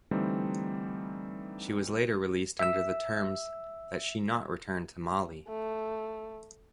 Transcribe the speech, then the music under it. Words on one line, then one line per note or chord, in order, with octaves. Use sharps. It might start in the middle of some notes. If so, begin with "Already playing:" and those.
She was later released under the terms that she not return to Mali.
D3 E3 G3 A3 C4 D#4
E5 E6
A3